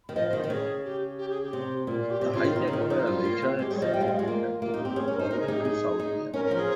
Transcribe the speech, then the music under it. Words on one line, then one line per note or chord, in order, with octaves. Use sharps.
The hijackers were later accepted and flown to South Yemen.
D#3
F3 D#5
C5
D#3
D#3
C#3 G#4
G4
G4
G#4
G4
C3
A#2 F4
F4
G4
C3
C#3 F4
D#3 F4
C3 D#4
C#3
D#3 F4
F3 D#4
F4
G3
A#3
C4
G#3 G4
G3 G#4
C#5
F3 D#5
G3 G5
G#3 F5
G3 D#5
G#3 F4
A#3
A#3 F4
D#4 G4
C4 G4
C#4 G#4
C#4 A#4
D#4 C5
D#4 A#4
G#4
D#4 G4
G#4
D#4
D#4
C#4 A#4
A#4
F3
G#4